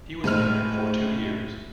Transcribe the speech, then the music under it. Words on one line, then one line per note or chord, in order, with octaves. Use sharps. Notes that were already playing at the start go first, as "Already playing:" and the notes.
He was Mayor for two years.
A2 G#3 C4 B5 F6 F7